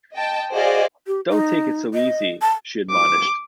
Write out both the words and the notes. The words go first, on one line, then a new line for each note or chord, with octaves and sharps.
"Don't take it so easy," she admonished.
D#5 G5 A5
F#4 G#4 C5 D5 D#5 F5
G4
D#4
D#5
A5
D6